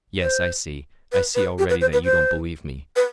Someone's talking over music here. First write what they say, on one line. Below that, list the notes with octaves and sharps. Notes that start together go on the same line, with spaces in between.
Yes, I see, I see already that you don't believe me.
C5
B4
B4
G4
B4
C5
B4
C5
B4